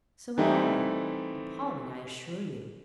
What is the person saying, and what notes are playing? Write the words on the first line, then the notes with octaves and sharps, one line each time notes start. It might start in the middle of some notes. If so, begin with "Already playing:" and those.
So have I. Appalling, I assure you.
E3 G3 A3 C4 D#4 E4